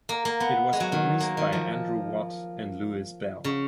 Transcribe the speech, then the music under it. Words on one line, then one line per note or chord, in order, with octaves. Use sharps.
It was produced by Andrew Watt and Louis Bell.
A#3
A#3
B3
G#3
F#3
D#3
A#3
D#3
F3
C#3